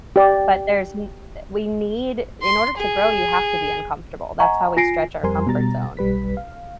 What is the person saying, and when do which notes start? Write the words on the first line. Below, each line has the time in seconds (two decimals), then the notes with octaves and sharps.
But there's n we need in order to grow, you have to be uncomfortable, that's how we stretch our comfort zone.
0.16 G4 D5
2.43 C6
2.78 G#4
4.40 D#5 F#5 G#5 A#5 C#6
4.77 F4 G#5 A#6 C7 D7
5.24 F2 G3 A#4 C5 G#5 C6
5.47 B2 G3 A#5 A6
5.97 B1 G3 B4 B6
6.37 F5